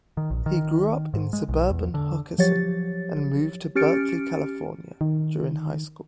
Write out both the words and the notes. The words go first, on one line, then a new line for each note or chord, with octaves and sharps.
He grew up in suburban Hockessin and moved to Berkeley, California during high school.
D#3
A#1
D#3
G#2
G#3
B1
E2
D3
F3 F#3 G4 C#5 A6
C#4 G4 F6 A6 C#7 D7
D#3